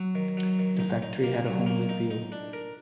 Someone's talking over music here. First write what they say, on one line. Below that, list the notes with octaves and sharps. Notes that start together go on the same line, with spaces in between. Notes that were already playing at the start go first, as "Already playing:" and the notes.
The factory had a homely feel.
Already playing: F#3
D#3
F#3
D#3
D#4
D#4
A#3
F#3
A#3
D#4
D#4
D4
A#4